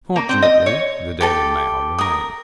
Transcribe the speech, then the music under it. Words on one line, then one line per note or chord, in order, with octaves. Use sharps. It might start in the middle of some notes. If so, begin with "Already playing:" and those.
Fortunately "The Daily Mail" remained.
A#3
C4
D#5
C#5
G4 A4 A5
A#4 D#6